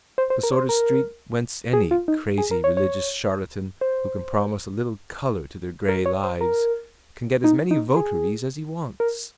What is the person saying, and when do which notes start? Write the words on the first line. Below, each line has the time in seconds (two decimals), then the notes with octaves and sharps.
The sort of street whence any crazy religious charlatan who can promise a little colour to their grey lives can get as many votaries as he wants.
0.18 C5
0.30 C5
0.43 A#4
0.51 C#5
0.57 C5
0.69 A#4
1.73 G#4
1.91 F4
2.08 D#4
2.38 G#4
2.51 A#4
2.64 C#5
2.77 C#5
3.81 C5
5.89 A#4
6.06 C#5
6.24 C5
6.41 A#4
7.44 D#4
7.71 D#4
7.96 G#4
9.00 A#4